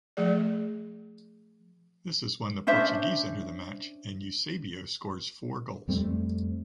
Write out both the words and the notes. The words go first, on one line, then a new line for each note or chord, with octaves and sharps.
This is when the Portuguese enter the match and Eusebio scores four goals.
F3 A3 G#4 D5
C#4 D4 C5 E5
F2 G3 A3 C4